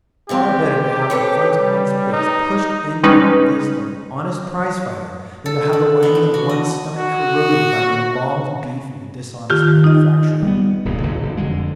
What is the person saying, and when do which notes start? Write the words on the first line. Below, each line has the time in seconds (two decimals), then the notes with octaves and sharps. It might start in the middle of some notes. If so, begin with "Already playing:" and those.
Far better to have the front of one's face pushed in by the fist of an honest prize-fighter than to have the lining of one's stomach corroded by the embalmed beef of a dishonest manufacturer.
0.29 C#3 G#3 C4 G4
1.10 A4 B4 C#5
1.58 G3
2.12 D#4
3.03 G3 G#3 C#4 D#4 B4
5.46 A4
5.73 D3
6.03 B3
6.15 D4
6.34 F#4
6.49 D#5
6.98 F#4
9.50 D#3 F4 G4
9.84 D#4 D#5
10.43 G3 G#3 B3
10.85 D#1 C#2 G2 A#2
11.03 G#1 D#2 A#2 C#3
11.23 F#1 D3
11.37 F2 D3 G#3